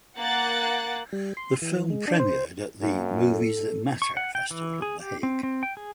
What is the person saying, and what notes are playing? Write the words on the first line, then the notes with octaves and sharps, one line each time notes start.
The film premiered at the Movies That Matter Festival in The Hague.
A#3 F#5 F#6 A6
G3
C6
E3
G#3
D4
C5
F#2 A#3
A4
C#6
F#5
G5
E3
G#4
G4
C4
C4
G5
G#4